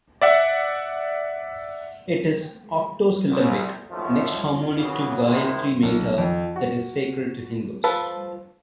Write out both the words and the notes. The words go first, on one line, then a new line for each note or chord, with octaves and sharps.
It is octosyllabic, next harmonic to Gayatri meter that is sacred to the Hindus.
D5 E5 F#5
C2
G#1 F#2 F3 G#3 A3
C#3 E3 F#3 A#3 B3
A1 D#3 G#3 E4 C5
B1
F2
F#4
F3 A4 B4